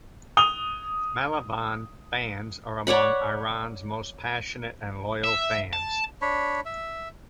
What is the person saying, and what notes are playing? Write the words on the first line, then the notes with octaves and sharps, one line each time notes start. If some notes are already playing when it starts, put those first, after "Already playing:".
Malavan fans are among Iran's most passionate and loyal fans.
D#6 F7 G7
C#5 D5 F#5 B5
E5
A5
D4 C#5 B5
E5